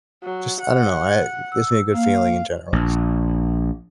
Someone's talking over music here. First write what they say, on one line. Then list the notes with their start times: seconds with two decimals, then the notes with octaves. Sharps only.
just, I don't know I gives me a good feeling in general,
0.23 F#3
0.60 F#5
1.52 E6
1.94 A#3 F5
2.73 A#1